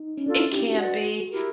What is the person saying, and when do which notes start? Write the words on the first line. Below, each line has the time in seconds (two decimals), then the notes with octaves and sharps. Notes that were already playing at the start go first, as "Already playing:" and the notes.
It can be,
Already playing: D#4
0.17 C#4
0.26 D4 F4 A4 D5
0.39 E4
0.53 G4
0.66 F#4
0.79 F#4 B4 D5 F#5
1.31 E4 G4 A#4